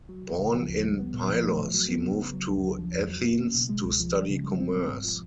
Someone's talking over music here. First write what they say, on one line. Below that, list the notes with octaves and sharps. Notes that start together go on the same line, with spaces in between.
Born in Pylos, he moved to Athens to study commerce.
F#3
C2
C#3
F3
D2
G3
B3
A#2
F3
A3
A2
F#3
B3
C#3
C#3
F#3
D2
D3
F3
F2
F#3
A#3
C#3
B2
G#3
C#2
F3
G#3
C#3
G3
C4
B2
G#2
F3